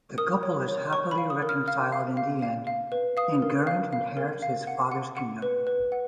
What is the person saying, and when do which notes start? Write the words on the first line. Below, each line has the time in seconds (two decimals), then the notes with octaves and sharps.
The couple is happily reconciled in the end, and Geraint inherits his father's kingdom.
0.18 A#4 D#6
0.43 C#5
0.68 C#5
0.93 C#5 C#6
1.11 B5
1.18 F5
1.30 D#6
1.42 A#4
1.49 F6
1.68 F5 F6
1.92 F5
2.17 F5
2.42 F5
2.67 F5
2.92 B4
3.17 F5 D#6
3.42 A#4
3.67 F5
3.93 F5
4.17 A#4
4.42 F5
4.67 F#5
4.92 F#5
5.17 F#5
5.42 B4
5.67 B4
5.92 F#5